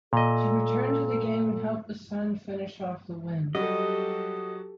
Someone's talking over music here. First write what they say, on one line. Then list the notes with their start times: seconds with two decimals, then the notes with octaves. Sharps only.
She returned to the game and helped the Sun finish off the win.
0.13 A#2 A4 D#5
3.55 F#3 G3 F#4 G4 A4 D#5